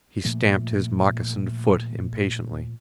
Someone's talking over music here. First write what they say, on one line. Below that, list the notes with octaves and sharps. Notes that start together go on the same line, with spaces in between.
He stamped his moccasined foot impatiently.
A#2 F3 A3